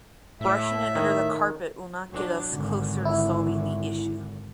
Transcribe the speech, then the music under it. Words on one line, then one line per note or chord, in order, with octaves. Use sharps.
Brushing it under the carpet will not get us closer to solving the issue.
A2 E5
D#3
F#3 D4
G#1 D3
E4